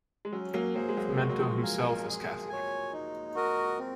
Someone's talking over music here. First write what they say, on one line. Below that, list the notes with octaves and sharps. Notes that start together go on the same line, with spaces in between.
Fumento himself is Catholic.
G#3
F#3 C#4
F#3 A#3
F#3 A#3 G#4 C5
G#3
F#3 A#3
G#3 F#4
F#3
F3 G#3
A#4 F5 G#5
G#4
C#5 G#5
D#4
F#4 A#4 D#5
C4